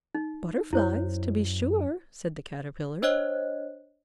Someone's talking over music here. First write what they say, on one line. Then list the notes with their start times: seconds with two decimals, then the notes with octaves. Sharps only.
"Butterflies, to be sure," said the Caterpillar.
0.15 D#4
0.73 F#2 E4 C5 C#5
3.02 D4 C5 C#5 D#5 F#6